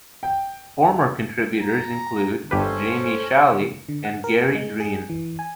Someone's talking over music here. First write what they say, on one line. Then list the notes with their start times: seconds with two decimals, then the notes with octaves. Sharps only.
Former contributors include Jamie Shalley and Gary Green.
0.23 G5
1.62 A#5
2.51 G1 C#4 G4 A4 B4 C5
3.89 D3
4.05 F#5
4.24 A#4
4.55 G#3
4.80 G#4
5.09 E3
5.39 G#5